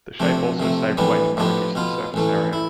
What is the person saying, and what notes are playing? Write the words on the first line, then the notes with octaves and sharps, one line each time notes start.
The shape also saved weight by reducing the surface area.
C3 F3 A3 D4
C3 F3 A3
A2 E3 G3 B3 D4
A2 F3 B3 D4 G4
B2 B3 F4
A1 A2 E3 A3
E4